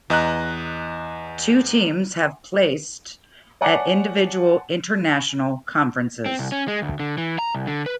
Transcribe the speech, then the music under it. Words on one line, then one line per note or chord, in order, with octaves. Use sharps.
Two teams have placed at individual international conferences.
E2 D#5 A#5 F#6
C#5 D5 F#5 G#5 A5 D6
C4
C2
C#4
G#3
D2
D3
E3
A#5
C2
D3
B4